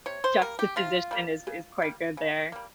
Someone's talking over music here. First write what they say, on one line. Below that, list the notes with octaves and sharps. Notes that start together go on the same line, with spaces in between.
juxtaposition is is quite good there.
C3 C#5
C5
G3 A#3 A#4
G4
C3 F4
G3 A#3
C#3
G3 A#3
C#3
G3 A#3